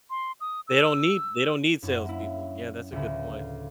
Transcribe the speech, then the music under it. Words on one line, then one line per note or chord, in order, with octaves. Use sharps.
they don't need they don't need salespeople. Yeah, that's a good point.
C6
D#6
E6
F#2 D4 E4 C#5
A#3 E4
D2 A2 C#3 F4 A4 B4
F4